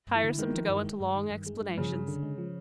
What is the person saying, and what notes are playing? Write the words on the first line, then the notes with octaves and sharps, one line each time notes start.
Tiresome to go into long explanations.
G2
E3
D3
D#3 G#3
F3
G2
G#3
G2
D#3
G2
G#3
G2
C#3 F3
G2
D3
G#3
F3